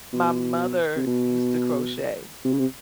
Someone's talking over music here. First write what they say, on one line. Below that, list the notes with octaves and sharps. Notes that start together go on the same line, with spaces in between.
my mother used to crochet,
B2
C3
B2
C3
C#3
C3